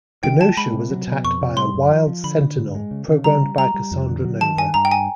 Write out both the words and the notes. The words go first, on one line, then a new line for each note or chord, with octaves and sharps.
Genosha was attacked by a "wild Sentinel" programmed by Cassandra Nova.
D#3 G5
F#3 A5
G#3 B5
C3
F#3
B2
F2 C#6
C3
G3 C6
F#2
F3
F3
D3 B5
D3
G#2
G#3
C#3
C#3
G3 A#5
G3
G3 A#5
G3
F2
D3
F#3
D#3 A5
G2 G#5
G2 A#5
G5
G#5